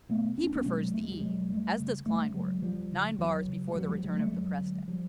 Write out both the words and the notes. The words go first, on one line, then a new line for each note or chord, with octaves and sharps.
He prefers the E--as does Klindworth--nine bars before the return of the presto.
B2 A3 B3
E2 C#4
D4
B3 C#4
B2 F#3 G#3
E2 A3
G#3
G3
B2 F#3 G#3
F#2 G3 A3
C#3
F#2 G3 A3
C#3 F#3 G#3
E2 F3 G3
C#3
E2 E3 F#3
C#3
G3
F2 E3 F#3
F3 G3
D3 F#3 G#3
G3 A3
F2 F#3 G#3
D3
F3 G3